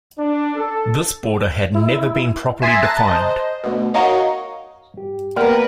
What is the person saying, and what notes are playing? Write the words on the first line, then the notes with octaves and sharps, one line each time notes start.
This border had never been properly defined.
D4
A4
E4
E5 G#5 C6 D#6 A6 A#6
A5 A#5 F#6 A6
C5 D#5
D2 B2
D#4 F#4 A#4 C#5 D#5 F5
G2 G4
A#3 B3 A#4 B4 D5 F#5 G5